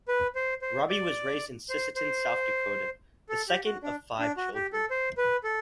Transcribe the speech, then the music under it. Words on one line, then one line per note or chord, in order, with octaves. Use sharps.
Robbie was raised in Sisseton, South Dakota, the second of five children.
B4
C5
C5
D5
C5
C5
A4
G4
F#4
D4
D4
F#4
G4
A4
C5
B4
A4